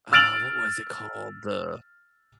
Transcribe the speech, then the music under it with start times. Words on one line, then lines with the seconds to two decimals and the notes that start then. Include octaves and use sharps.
Uh, what was it called? The
0.12 E6 F6 A6 D7 F7 F#7